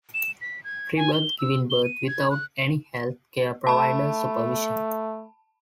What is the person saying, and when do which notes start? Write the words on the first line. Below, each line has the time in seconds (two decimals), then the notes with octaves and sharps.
Freebirth: Giving birth without any health care provider supervision.
0.14 E7
0.41 B6
0.64 G#6
0.97 G#5
1.13 G7
1.39 E6
1.70 G7
1.84 D#7
2.08 G#6
2.30 F#6
3.67 A3 A5 B5